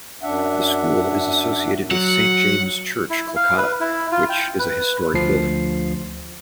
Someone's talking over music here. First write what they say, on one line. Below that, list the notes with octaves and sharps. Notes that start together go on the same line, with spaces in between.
The school is associated with Saint James' Church, Kolkata, which is a historic building.
F#2 D4 E5 F#5
F#3 F#5
E4
F5
B4
E4
F4
G5
B4
D2 F3 C7